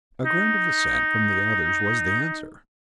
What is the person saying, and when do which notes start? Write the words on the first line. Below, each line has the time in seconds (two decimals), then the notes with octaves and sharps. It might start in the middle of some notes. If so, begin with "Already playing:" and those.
A grunt of assent from the others was the answer.
0.24 D#4